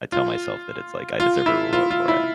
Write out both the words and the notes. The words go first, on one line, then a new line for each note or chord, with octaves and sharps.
I tell myself that it's like, "I deserve a reward for it."
F4
F4
E4
F4
F4
E4